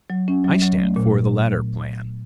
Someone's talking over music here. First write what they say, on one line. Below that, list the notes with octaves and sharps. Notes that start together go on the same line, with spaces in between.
I stand for the latter plan.
F#3
C#4
F#3
F#3
A3
A#2